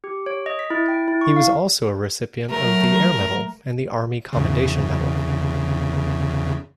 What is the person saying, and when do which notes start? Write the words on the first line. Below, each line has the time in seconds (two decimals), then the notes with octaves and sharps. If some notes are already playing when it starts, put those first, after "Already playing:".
He was also a recipient of the Air Medal and the Army Commendation Medal.
0.04 G4
0.26 C#5
0.46 D#5
0.59 B6
0.70 E4
0.88 G5
1.08 E4
1.21 C#6
1.36 F5
2.50 F#3 A3 A#4
4.33 E2 C#3